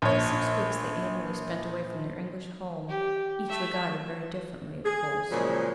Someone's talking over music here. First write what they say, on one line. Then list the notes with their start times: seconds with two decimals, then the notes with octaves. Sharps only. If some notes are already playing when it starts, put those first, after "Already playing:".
The six weeks they annually spent away from their English home, each regarded very differently, of course.
0.02 A#1 C#5
2.89 G4
3.49 A3 E5
4.85 G#4
5.31 A#2 C#3 F3 F#3 G#3